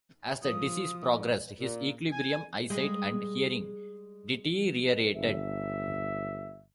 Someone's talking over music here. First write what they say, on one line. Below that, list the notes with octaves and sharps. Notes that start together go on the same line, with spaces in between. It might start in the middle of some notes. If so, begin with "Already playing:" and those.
As the disease progressed, his equilibrium, eyesight, and hearing deteriorated.
F3 D#6
A#2
G#5
G3 G#3 G#4
G1 E5